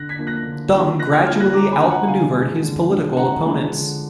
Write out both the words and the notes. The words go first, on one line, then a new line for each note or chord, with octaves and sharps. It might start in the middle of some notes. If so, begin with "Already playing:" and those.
Deng gradually outmaneuvered his political opponents.
Already playing: D3 F#6 A#6
G#6 B6
F3 A#3 D4 F4
F#6 A#6
D3
F3 A#3 D4 F4
D3 F#6 A#6
F6 G#6
F3 A#3 D4 F4 F6 G#6
F#6 A#6
D3 A#5 D6
G#5 B5
F3 A#3 D4 F4
F#5 A#5
D3 F5 G#5
F3 G#3 D4
D3
F3 G#3 D4
D3 F#5 A#5
F3 G#3 D4
D3